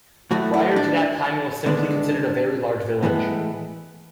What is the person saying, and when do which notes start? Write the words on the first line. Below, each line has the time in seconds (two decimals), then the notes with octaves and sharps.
Prior to that time it was simply considered a very large village.
0.31 A2 F#3 A3 F#4
0.54 E4
0.76 D4
1.66 D3 G#3 B3 D4
3.03 A2 E3 G#3 B3